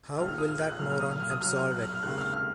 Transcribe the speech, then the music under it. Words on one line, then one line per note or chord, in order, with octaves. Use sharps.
How will that moron absolve it?
A#1 G#2 F3 G#3 F6
F6
D#6
F6
F#6
F#6
B1 A#2 F#3 F6
F6
D#6
F6
F6
D#6
B1 B2 F#3 F6
F6
F#6
F6
F6
F1 D#2 C#3 G#3 F#6
F6
F6